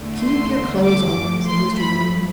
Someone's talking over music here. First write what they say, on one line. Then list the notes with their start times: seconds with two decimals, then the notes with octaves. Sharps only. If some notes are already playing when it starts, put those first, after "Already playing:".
"Keep your clothes on," said Mr. Bloom.
Already playing: E2 D3 A3
0.21 C6
0.84 D6
1.15 G2 F3 A3
1.47 C6
1.78 B5